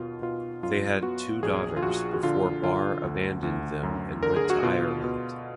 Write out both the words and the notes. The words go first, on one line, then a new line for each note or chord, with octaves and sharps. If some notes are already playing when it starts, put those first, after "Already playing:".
They had two daughters before Barre abandoned them and went to Ireland.
Already playing: D#2 B2 F4
B2 F4
F#2 F4
B3 F#4
A#1 G#4
F4
A#1 F#4
F#4
D3 F4
D3 F4
D2
D2
F#2
D3 A#4
G#4
F#4
B2 F4
B2